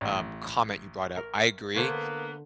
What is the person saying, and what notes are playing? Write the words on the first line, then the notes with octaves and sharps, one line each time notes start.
um, comment you brought up. I agree,
A1
A#4
D3 A#3 B3 C5 C#5